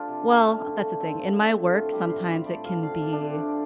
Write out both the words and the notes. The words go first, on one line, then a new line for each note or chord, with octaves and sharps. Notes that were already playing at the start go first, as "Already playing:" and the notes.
well, that's the thing, in my work, sometimes it can be
Already playing: F3 A3 D4 F4 G4 A4
C3
D3
A3
D3
A3
A3 C4
F3
D3
D3
A2 F4
G3 G4
A2 C5
G3 D5
A3 D5
F3 F5
D3 F5
D3 D5
D4
D3 C4
A3